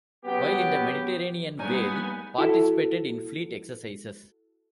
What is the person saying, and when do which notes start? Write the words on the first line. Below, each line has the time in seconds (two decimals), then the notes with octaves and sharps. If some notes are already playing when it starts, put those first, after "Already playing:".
While in the Mediterranean Whale participated in fleet exercises.
0.25 C#3 F#3 B3 G4
1.59 G3 A#3 B3 D#4 C#5 G#5
2.38 E4 F#4 A4